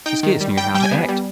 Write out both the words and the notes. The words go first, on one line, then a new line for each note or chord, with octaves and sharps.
He scarce knew how to act.
D#4 G5
D#3
G3
G3 G5
G3 G5
G#5
B3
G3